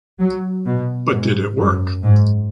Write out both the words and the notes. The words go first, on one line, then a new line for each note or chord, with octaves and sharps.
But did it work?
F#3
B2
G#2
F#2
G#2